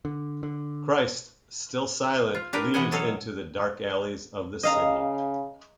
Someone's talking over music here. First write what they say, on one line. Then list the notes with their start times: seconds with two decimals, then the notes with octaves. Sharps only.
Christ, still silent, leaves into "the dark alleys of the city".
0.05 D3
0.43 D3
2.35 F4
2.53 D4 G4 A#4 B4
2.74 C3 E3 B3 F#5 G#5
2.92 B2 F#3 A4 C#5 D#5 F5
4.63 C#3 D#5 F5 A#5